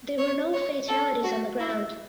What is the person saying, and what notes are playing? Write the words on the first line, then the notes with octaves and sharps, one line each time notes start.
There were no fatalities on the ground.
C#5
C#5
A4
F#4
E4